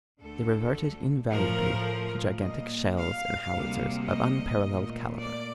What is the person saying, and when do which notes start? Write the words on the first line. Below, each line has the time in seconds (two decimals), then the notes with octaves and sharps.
They reverted invariably to gigantic shells and howitzers of unparalleled caliber.
0.21 D2 D3 A3 A4
1.31 A2 F3 A3 A#4
2.42 A#2 G3 A#3 D#5
2.97 F5
3.53 D2 C3 G3 A#3
4.08 D#5
4.64 A#2 A3
5.19 D5